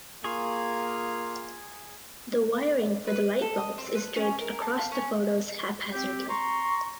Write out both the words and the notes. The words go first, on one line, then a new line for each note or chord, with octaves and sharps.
The wiring for the lightbulbs is draped across the photos haphazardly.
A#3 F4 G#4 C#6
B4
A4
D#5
C4
B4
C#4
A#4
A5
F5
C#4
C4 G4
A#5 C6 C#6